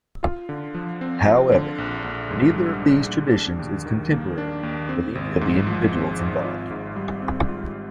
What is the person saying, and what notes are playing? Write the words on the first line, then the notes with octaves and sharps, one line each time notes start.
However, neither of these traditions is contemporary with any of the individuals involved.
F4
D3
F3
C4
F4
D3
A#1
A#1
G#2
G3
A#1
A#1
D4
D#2
D#3
A#3
D4
D#2
C4
G#1
G#2
F3
C4
G#1
F4
G#2
G3
C4
F4